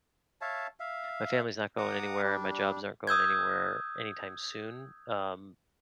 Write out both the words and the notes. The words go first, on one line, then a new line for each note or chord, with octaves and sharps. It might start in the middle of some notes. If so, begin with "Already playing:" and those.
my family's not going anywhere, my jobs aren't going anywhere anytime soon, um,
C#5 E5 F5 A5
E5 F5
F#5 A#5 D6 D#6
G3 D4
D#6 E6 G6 G#6